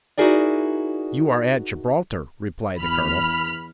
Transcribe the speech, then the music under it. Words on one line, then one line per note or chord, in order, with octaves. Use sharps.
"You are at Gibraltar," replied the colonel.
D#4 E4 F#4 G#4 A#4 D5
E2 B5 F6